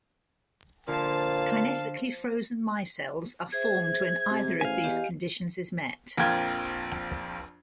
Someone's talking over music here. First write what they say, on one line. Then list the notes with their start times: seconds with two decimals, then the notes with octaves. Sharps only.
Kinetically frozen micelles are formed when either of these conditions is met.
0.88 A#2 D3 F3 F5 A5
3.53 G#4 C5 E5 G#6
4.31 C3
4.61 A1 F5 G#5
4.84 E2 G4 D#5
6.17 A#1 F2 A#3 F4 G5 G#6